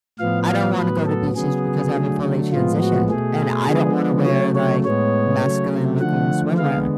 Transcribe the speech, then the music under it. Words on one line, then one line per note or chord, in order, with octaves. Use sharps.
I don't wanna go to beaches because I haven't fully transitioned, and I don't wanna wear, like, masculine-looking swimwear.
A2 F3 B3 F5
F5
A2 F#3 B3 B4
A4
C#3 F#3 B3 G#4
D3 F#3 A3
A2 F3 G#3 B3 F4
F#4
B2 A3 G#4
D3 F3 G#3 B3
C#3 F#3 A3 C#5
C#5
A2 G#3 B3 C#5
C#3 F#3 A3
D3 F3 A3 F#5
D3 G#3 B3 F5